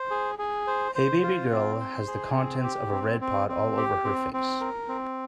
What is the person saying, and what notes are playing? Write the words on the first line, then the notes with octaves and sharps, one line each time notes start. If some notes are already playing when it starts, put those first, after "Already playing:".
A baby girl has the contents of a red pot all over her face.
Already playing: C5
G#4
G#4
C5
C5
F4
C4
C5
G#4
C4
G4
C4
C4
C4
G4
C4
C4
A#4
C4